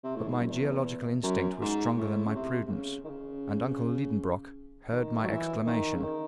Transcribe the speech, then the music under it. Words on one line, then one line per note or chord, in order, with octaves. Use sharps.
But my geological instinct was stronger than my prudence, and uncle Liedenbrock heard my exclamation.
C3
A2
G#2
F#2
E2
F#2
G#2
A2
C#3
C3
C3
C#3
D#3
C#3
D#3
F#3
E3
D#3
C#3
D#3